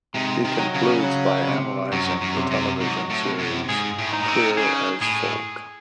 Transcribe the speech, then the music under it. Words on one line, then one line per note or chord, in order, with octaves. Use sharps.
He concludes by analysing the television series "Queer as Folk".
G#2 C3
D#3
F#3
C#3
F#3
C3
F#2 F#3
F#2
C3
F#2
G#2 F#3
A2
C3
F#2
G#2 G#4
A2
G#2 D#4
A2
C3
C#3 G#4
A2 G#4